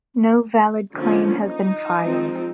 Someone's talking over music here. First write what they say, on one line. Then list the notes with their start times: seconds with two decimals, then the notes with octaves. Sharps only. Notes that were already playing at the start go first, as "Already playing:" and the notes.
No valid claim has been filed.
0.94 D3 F3 A#3 C#4
1.47 D#4
2.01 F3 G#3 C4